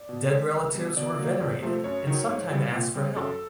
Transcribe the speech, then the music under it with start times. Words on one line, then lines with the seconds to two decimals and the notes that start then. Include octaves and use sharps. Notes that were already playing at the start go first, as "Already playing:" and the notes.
Dead relatives were venerated and sometimes asked for help.
Already playing: D5
0.09 B2
0.30 G#3 C4
0.53 C2
0.74 B2 G3
0.97 B2 D5
1.19 F#3 A#3
1.40 F2
1.62 C3 F3 A3 C4
1.84 F#2 C#5
2.07 D#3 F#3
2.29 G#2
2.50 E3 G3 C4
2.72 A#2
2.95 G3 C4
3.16 F#2 A4